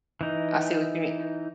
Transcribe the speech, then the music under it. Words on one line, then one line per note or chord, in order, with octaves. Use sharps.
I see what you mean
E3 D#4